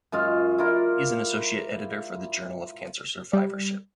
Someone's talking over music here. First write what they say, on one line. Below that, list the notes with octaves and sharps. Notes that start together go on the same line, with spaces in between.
He is an Associate Editor for the Journal of Cancer Survivorship.
F#2 G#3 F4
E4 F4 A#4 D5
G3